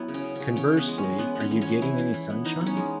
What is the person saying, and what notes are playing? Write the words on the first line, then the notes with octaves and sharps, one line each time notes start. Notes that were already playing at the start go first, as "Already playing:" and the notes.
Conversely, Are You Getting Any Sunshine?
Already playing: F#3 B3 E4
C#3
C#4
C#3
C#3 C#4
E3 C#4
E3
B3
G#3
C#4
G#3
G#3 B3
B3
C#4
E3
C#4
E3
E3 E4
E3
E3
B3
E3 D#4
B3
C#4
G#3